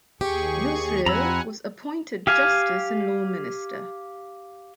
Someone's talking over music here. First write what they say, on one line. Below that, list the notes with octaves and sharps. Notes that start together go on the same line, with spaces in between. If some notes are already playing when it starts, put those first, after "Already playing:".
Yusril was appointed justice and law minister.
D#2 G4 G#4 C#6
F2 C4 F#5 G#5 A#5 B5 E6
G4 F5 G#5